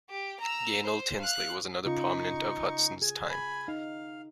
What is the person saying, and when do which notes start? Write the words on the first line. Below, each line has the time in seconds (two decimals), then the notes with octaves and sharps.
Gaynell Tinsley was another prominent of Hutson's time.
0.10 G4
0.40 A#5 E6
0.83 C5
1.20 F5 F#6
1.85 C#3 D#4 F4 C#6
3.02 G#4 G#5
3.30 G#5 B5
3.68 D#4 F5